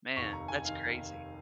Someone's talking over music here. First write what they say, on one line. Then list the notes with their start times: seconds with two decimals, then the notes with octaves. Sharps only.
Man, that's crazy.
0.17 F1 D#2 D#3 C#6
0.33 A#5
0.48 G#5
0.65 D#3 F5